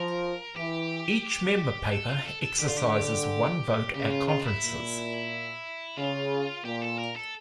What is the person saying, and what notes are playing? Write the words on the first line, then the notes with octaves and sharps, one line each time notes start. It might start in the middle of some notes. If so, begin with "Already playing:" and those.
Each member paper exercises one vote at conferences.
Already playing: F3 A#4
E3 G4
A4
F4
A4
A4
D3 G4
F4
G4
C#3 G4
F4
F4
D4
E4
A#2
C#3 F4
A#2 G4
A4
A#4
A4